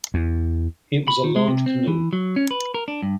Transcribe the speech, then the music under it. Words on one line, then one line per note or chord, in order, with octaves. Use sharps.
It was a large canoe.
E2
B5
D#3
G#3
C3
C4
E3
F#3
C#4
B4
A#4
D4
G2